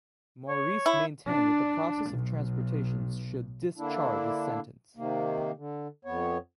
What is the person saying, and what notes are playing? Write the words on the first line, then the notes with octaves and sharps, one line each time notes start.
Maurice maintained that the process of transportation should discharge his sentence.
C#5
E4
D4
B1
D3 A#3 D4 E4
C3 D#3 A#3
D3
F2 B3 C#5